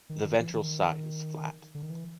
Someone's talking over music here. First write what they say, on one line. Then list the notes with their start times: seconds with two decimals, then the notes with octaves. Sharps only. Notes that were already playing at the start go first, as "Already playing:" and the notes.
The ventral side is flat.
0.10 D#3
0.24 D#3
0.40 E3
0.55 D#3
1.75 D3
1.82 D#3
1.90 E3